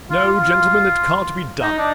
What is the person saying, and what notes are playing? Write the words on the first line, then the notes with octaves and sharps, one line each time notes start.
No, gentlemen, it can't be done.
F4
F4
D#4
D4